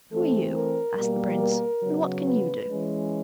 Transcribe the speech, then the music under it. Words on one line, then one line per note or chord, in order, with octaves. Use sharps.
'Who are you?' asked the prince, 'and what can you do?'
E3 A3 C4 A4
A#4
B2 G3 A#3
A#4
C#3 F#3 B3
B4
E3 G#3 C#4